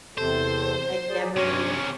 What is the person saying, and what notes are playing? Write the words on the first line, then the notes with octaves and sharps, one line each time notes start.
I'd never
E2 C3 A4 C5
F#3 G#4 D5
G2 C3 C#4